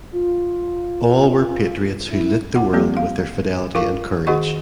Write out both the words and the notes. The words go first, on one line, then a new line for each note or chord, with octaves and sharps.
All were patriots who lit the world with their fidelity and courage.
F4
E4
F4 F#5
F3 G3 A#3 C4 G4
F5
F4 A#4 F5 C#6
D#3 F#4 G#4 D#5 F#5 C#6